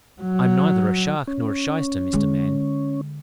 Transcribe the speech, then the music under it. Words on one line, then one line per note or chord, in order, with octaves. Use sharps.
I'm neither a shark nor a shyster, Mr. Man.
F#3
C#4
D3 G#3